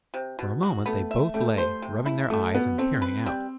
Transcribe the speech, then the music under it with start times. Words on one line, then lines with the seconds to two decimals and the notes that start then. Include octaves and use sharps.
For a moment they both lay rubbing their eyes and peering out.
0.14 C3
0.39 B2
0.63 F#4
0.86 A3 B3
1.11 E5
1.34 G3 A3
1.58 C5
1.82 C3
2.06 E4
2.30 B2 A3
2.54 B2 B3
2.78 A3 C4
3.02 B4
3.26 G3